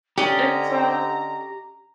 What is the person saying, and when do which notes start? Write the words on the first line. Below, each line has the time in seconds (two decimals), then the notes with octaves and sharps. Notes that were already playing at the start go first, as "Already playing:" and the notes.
it's, uh
0.18 D3 C#4 G4 D5 D#5 A#5